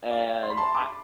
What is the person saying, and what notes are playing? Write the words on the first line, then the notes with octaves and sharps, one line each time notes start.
And I
D5 F5
C6
B5
A5 C6
B5 D6